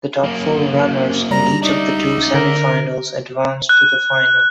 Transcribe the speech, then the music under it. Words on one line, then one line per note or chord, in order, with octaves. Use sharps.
The top four runners in each of the two semifinals advanced to the final.
F#2 A#3
G3 A#5
D#4 D5 E5
D3 A#4
F#6